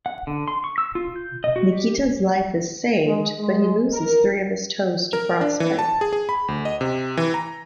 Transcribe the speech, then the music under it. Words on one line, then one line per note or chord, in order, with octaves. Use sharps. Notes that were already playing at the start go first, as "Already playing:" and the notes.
Nikita's life is saved, but he loses three of his toes to frostbite.
F#5
D3
C6
C#6
E6
F4
G6
D#5
F#4
G4
G#3
G#3
A#4
A#4
D4
E3
A5
G#4
G#4
B5
D2
D#5
C3
E3
A#5